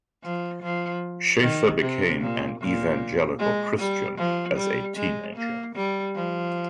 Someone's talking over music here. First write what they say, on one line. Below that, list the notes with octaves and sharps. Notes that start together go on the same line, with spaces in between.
Schaeffer became an evangelical Christian as a teenager.
F3
F3
D#3
C3
A#2
A#2
G#3
G3
F3
G3
G#3
A#3
G3
F3